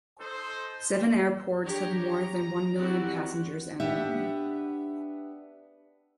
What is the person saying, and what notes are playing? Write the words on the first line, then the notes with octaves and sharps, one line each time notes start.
Seven airports have more than one million passengers annually.
D#4 A4 C5
D4 G4 C#5 A#5
A#5
C4 E4 F#4 G4 D5
B3 D4 G4 E5